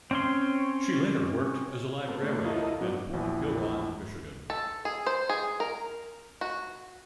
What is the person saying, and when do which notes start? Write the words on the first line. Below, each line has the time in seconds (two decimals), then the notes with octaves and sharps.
She later worked as a librarian in Port Huron, Michigan.
0.11 C4 C#4 C6
2.08 B3 C4 A4 A#4
2.22 A3 B3 D4 C#5
2.44 E4 F4 A4 A#4 D#5
2.81 F#3 B3 D4 F#4
3.13 A#1 E2 E4
4.50 A4
4.85 G#4
5.06 C5
5.29 G#4
5.60 A#4
6.41 F#4